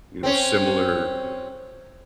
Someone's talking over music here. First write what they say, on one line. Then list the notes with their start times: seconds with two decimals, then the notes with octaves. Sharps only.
you know, similar
0.23 C4 C#4